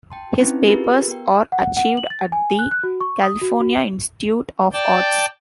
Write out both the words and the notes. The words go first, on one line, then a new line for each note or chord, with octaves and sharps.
His papers are archived at the California Institute of Arts.
G5 A5 C6
C4 C#4 D#4 E4 B4
F4 G4 G#4 A#4 B4
A#4
B3 A#4 G5
F#5
F#5
F#7
A6
G#5
F#6
F#6
F#4
C#6
D#6
F#4
F#4
D5 G5 A5